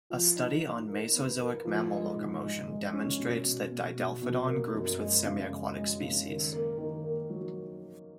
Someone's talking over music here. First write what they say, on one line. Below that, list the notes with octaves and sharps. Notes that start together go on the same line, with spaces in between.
A study on Mesozoic mammal locomotion demonstrates that "Didelphodon" groups with semi-aquatic species.
F3
D#4
D#4
A#4
B3
A#4
F3
G#3
G#2
G#3
G#3
C#4
B2
B2
B2
B2
B2
A#3
F#2
G#3
C#3
G#3
G#3
C#3
D#3
A#3
D#3
A#3
F#3